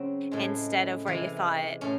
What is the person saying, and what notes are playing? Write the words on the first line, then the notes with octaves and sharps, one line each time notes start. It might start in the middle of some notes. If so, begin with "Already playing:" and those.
instead of where you thought
Already playing: C#3 F#3 C4
A2 G#3
C3 E3 G#3
A2 C#4